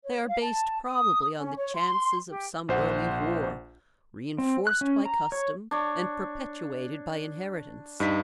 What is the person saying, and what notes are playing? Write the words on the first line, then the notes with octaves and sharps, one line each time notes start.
They are based probably on the chances of some early war, reinforced by custom and perpetuated by inheritance.
C#5
F5
A5
D#6
C#4
C#5
C6
G4
A#1 C5 F#5
C4
F#6
C#4
A#5
C#5
D4 C#5
G2 D#4 B6